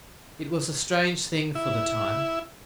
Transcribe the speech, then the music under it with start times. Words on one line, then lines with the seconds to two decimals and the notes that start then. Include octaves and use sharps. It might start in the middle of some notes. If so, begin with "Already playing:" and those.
It was a strange thing for the time.
1.55 E4